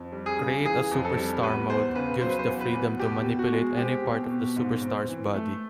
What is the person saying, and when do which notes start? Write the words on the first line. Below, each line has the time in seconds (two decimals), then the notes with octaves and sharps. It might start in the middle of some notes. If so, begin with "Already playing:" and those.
"Create-A-Superstar mode" gives the freedom to manipulate any part of the superstar's body.
Already playing: F2
0.12 G3
0.26 G#4
0.39 C#3
0.65 E3 G#4
0.91 F2
1.05 A4
1.17 G3
1.43 E2 B4
1.70 E2 C5
1.95 C#3 B4
2.21 F#3 C5
2.30 B4
2.39 C5
2.47 E2
2.61 B4
2.74 E2
2.99 B2 G4
3.26 B2
3.39 F#4
3.52 G#3
3.77 C4 G4
4.04 B2
4.30 B2
4.56 G#2
4.82 C4
5.08 E3
5.34 A3